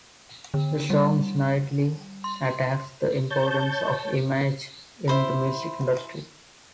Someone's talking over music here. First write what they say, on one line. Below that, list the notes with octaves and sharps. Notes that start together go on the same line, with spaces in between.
The song snidely attacks the importance of image in the music industry.
D3
G3
C6
C#5 A5 G6
E4 C5 B5